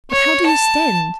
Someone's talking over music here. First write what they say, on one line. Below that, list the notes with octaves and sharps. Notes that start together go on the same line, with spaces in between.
'But how do you stand?
C#5
A5